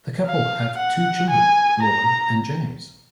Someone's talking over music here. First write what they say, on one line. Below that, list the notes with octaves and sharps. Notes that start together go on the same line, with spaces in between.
The couple have two children, Lauren and James.
F5
F#5
G#5
A#5